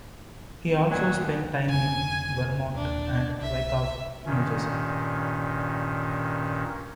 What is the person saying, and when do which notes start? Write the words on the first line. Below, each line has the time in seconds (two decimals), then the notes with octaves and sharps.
He also spent time in Vermont and in Wyckoff, New Jersey.
0.68 C4
0.91 D2 A#2 D#3 F#3
1.17 F2
1.69 F1 D3 G#5
2.75 D#1 D4
3.41 C2 E5
4.26 G2 A#2 D#3 C#4